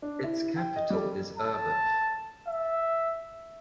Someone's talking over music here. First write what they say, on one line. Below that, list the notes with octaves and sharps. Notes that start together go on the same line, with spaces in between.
Its capital is Urbeth.
D4
E4
G5
D#5
G3
A5
E5